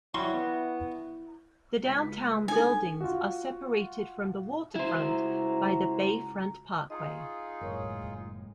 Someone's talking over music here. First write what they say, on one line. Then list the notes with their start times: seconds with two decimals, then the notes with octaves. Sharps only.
The downtown buildings are separated from the waterfront by the Bayfront Parkway.
0.14 F#3 G3 E4 F#4 C6 C#6
0.33 B3
1.84 C#2 B6
2.48 D4 D#4 A4 G#5
3.01 F4 F#4
4.75 C#2 E4 F#4 C5 A#5
6.90 D#4 F4 G#4 D#5
7.61 F#1 A2 G#3 A#4 C#5 C#6